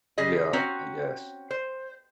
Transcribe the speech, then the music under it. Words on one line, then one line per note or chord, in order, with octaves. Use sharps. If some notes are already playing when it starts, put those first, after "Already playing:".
Yeah, I guess.
C#3 G4 G#4 D#5
C4 C#4 F#4 A#5
C5